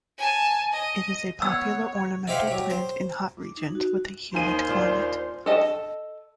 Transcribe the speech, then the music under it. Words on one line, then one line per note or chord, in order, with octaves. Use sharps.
It is a popular ornamental plant in hot regions with a humid climate.
G#5 A5
D#5
B3 C#5 F#5 E6
D#4 E4 G4 C5 F5 F#5
F#3 G4
C5
D6
D#4
F#4
D#2 D#4 C5 G#5 D#7
D4 F4
A4 D#5 A5